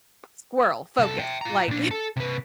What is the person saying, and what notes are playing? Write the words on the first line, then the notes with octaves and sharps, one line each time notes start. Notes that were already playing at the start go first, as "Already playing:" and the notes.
squirrel, focus, like
C2 A4
E5 G5
F4 A#5
A#2 D4
A4
C3 B4